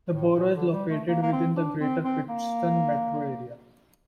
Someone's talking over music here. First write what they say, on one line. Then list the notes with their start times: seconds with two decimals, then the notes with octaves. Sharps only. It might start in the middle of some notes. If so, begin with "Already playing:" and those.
The borough is located within the Greater Pittston metro area.
0.12 A2
0.36 A#2
0.54 D3
0.72 G3
0.89 A3
1.08 A#3
1.22 A#3
1.32 C4
1.56 D4
1.80 C4
2.04 C4
2.29 A#3